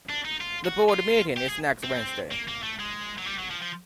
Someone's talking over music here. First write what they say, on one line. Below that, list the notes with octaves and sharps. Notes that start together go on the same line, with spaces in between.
The board meeting is next Wednesday.
D4
D#4
F4
F#4
F4
G4
G#4
C4
A#3
A#3
A3
G#3
F#3
G3
F#3
F3
F3